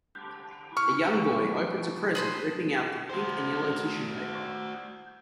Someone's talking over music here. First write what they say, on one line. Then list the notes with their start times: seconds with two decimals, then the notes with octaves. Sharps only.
A young boy opens a present ripping out the pink and yellow tissue paper.
0.77 C#6 F6
2.15 G#4 B4 C5
3.10 F#4 C5